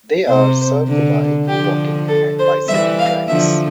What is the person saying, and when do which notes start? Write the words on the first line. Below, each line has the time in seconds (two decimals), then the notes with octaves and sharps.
They are served by walking and bicycle tracks.
0.27 C3 C5
0.88 D3
1.47 D3 F3 G4
2.08 A4
2.39 C5
2.68 E3 G3 E5
2.99 F5
3.28 D3 F3 E5